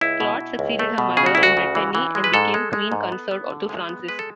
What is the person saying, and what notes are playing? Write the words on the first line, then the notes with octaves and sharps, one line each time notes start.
Claude succeeded her mother in Brittany and became queen consort to Francis.
C#2 E4
B2
B2
C#2
A3
B2
C#3 G#4
F#4
D2 E4
F#4
C#3
E3
E3
G#3
B4
G#2 A4
G#3
G#3
G#2
B3
B3
D3
G#3
B3
G#3 B4
A4